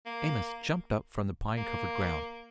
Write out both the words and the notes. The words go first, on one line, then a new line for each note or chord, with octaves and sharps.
Amos jumped up from the pine-covered ground.
A#3
A#3